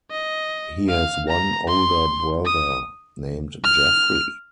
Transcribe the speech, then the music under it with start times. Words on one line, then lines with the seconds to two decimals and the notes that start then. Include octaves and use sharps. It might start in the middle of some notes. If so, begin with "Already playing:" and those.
He has one older brother named Jeffrey.
0.11 D#5
0.89 F5
1.28 A#5
1.68 C6
2.45 D#6
3.64 F6